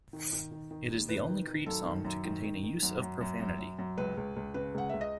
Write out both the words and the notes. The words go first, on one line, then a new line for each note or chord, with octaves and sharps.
It is the only Creed song to contain a use of profanity.
D#3
D#3
D#3
D#3
D#2
D#3 B4
D#3
D#3
F#2 A4
D#3
F#2
D#3
D#3
D#3
F#2
F#2
F#2
F#2
F#2
F#2
C#2 B4
C#2
C#2
C#3 B4
C#2 F#5
C#2 E5
D#5